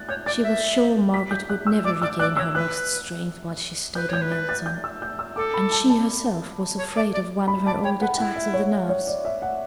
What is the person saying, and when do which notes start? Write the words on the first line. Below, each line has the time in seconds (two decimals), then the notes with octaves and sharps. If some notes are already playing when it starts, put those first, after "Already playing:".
She was sure Margaret would never regain her lost strength while she stayed in Milton; and she herself was afraid of one of her old attacks of the nerves.
Already playing: F#6 A6
0.09 C#5 G6
0.26 D5 A6
0.43 E5
1.14 B6
1.31 G6
1.49 F#6
1.67 E6
1.84 D5 D6
2.02 D5 E6
2.19 D5 F#6
2.37 C#5 E6
2.55 B4 F#6
3.95 B4 G6
4.09 C#5 G6
4.21 B4
4.32 A6
4.49 A6
4.66 G6
4.84 E6
5.02 G6
5.19 E6
5.36 A4 D6
5.54 B5
5.72 A5
5.90 A5
6.78 C#5
6.95 D5
7.13 D5
7.48 B5
7.65 D5 A5
7.83 C#5 G5
8.00 B4 F#5
8.18 E4 F#5
8.36 E5
8.54 C#5
8.89 C#5
9.07 D5
9.25 E5
9.42 F#5